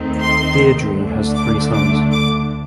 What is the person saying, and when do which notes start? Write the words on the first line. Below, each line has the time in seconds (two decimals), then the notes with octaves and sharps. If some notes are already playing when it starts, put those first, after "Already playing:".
Deirdre has three sons.
Already playing: D#2 D#3 A3 C4 D#4
0.21 C6
0.97 D2 D3 A3 D4
1.35 D6
1.73 D6
2.11 D6